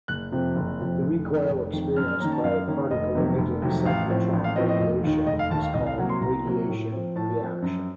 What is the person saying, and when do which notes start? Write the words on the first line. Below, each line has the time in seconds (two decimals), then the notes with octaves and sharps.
The recoil experienced by a particle emitting cyclotron radiation is called radiation reaction.
0.08 F#1 F#6
0.32 F2 C3 F3 C4
0.56 F#1
0.79 F2 C3 F3 C4
1.02 F1
1.26 F2 D#3
1.49 F1
1.73 F2 D#3
1.96 F#2 F6
2.08 F6
2.20 D#3 A#3 C#4 A#5
2.32 A5
2.44 F#2 F5
2.68 D#3 A#3 C#4
2.91 F1 D#5
3.15 F2 C3 D#3 F#3
3.38 F1
3.62 F2 C3 D#3 F#3
3.86 A1 F5
4.09 A2 F3 C4
4.33 A1
4.44 F5
4.56 A2 F3 C4 D#5
4.69 D#5
4.79 F1
5.04 D#2 D#3
5.27 F1 D#5
5.39 F5
5.50 D#2 D#3 A5
5.63 F5
5.74 C2 D#5
5.87 F5
5.98 C3 F#3 A#3 F#5
6.09 C6
6.21 C2 A#5
6.45 C3 F#3 A#3
6.69 A2
6.92 F3 C4
7.16 A2 A5
7.39 F3 C4
7.62 F#2